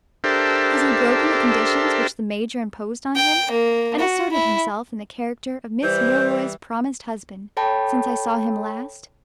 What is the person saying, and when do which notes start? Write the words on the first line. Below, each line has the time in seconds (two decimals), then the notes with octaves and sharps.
Has he broken the conditions which the major imposed on him, and asserted himself in the character of Miss Milroy's promised husband since I saw him last?
0.24 D4 G4 A4 A#4 C5 E5
3.16 G5
3.51 A#3
3.99 F#4
4.32 E4
5.83 E3 G3 C5 G6
7.57 A4 C#5 G5 A5 B5